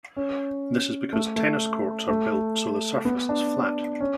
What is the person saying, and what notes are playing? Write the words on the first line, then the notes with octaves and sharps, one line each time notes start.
This is because tennis courts are built so the surface is flat.
C#4
A3
A3
A3
B3
D4
C#4